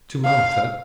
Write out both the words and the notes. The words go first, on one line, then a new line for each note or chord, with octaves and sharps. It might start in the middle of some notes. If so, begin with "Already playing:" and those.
"To Malta?"
F5